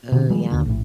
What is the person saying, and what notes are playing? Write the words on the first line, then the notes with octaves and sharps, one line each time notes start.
Oh, yum.
B2 D3
D#3 F3 G3 G#3
D#2 D3
A#1 A2